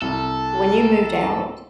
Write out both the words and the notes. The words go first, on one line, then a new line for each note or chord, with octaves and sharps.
when you moved out
C2 A4